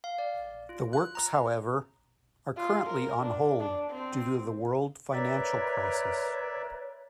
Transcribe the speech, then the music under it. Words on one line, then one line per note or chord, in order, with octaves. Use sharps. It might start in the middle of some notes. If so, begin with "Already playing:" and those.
The works, however, are currently "on hold" due to the world financial crisis.
F5
D5
F4
F#6
A#5
F4
A#4
D4
D4
C4
A#4 B4 C#5 D5 E5